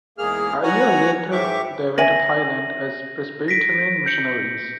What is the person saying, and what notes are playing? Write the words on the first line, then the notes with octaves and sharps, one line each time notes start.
A year later, they went to Thailand as Presbyterian missionaries.
E2 G#2 A#3 G#4 F6
F#4 C#5 F#5 G#5 A#5
G#2 E3 G4 E5 C#6 D6
C#5 E5 G#5 A#6 D#7 F#7
A#6 B6 D7
G6 C#7